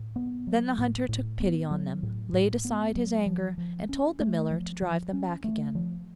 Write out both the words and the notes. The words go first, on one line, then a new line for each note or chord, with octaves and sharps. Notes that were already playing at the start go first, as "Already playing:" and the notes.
Then the Hunter took pity on them, laid aside his anger, and told the miller to drive them back again.
Already playing: A2
B3
F#3
A2
A2
B3
F#3
A2
A2
B3
F#3
F3
F3
C#4
A3
F3
F3
C#4
A3
F3